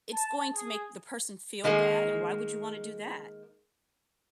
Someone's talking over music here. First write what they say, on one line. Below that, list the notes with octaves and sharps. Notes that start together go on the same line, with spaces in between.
it's going to make the person feel bad, and why would you wanna do that?
A5
G#4
D#3 G#3 A#3 D#4 G#4